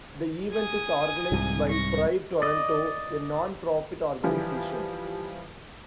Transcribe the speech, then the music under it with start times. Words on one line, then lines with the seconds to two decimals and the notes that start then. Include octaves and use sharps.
The event is organized by Pride Toronto, a non-profit organization.
0.53 G#5 D#6
1.32 C2 G#2
1.69 C#6 A#6
2.42 D5 D#5
4.23 E3 F3 G3